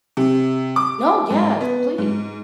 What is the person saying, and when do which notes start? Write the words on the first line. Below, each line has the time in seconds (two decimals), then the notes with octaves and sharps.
No, yes, please.
0.17 C3
0.76 D6
1.30 G#2
1.61 B3
1.98 G#2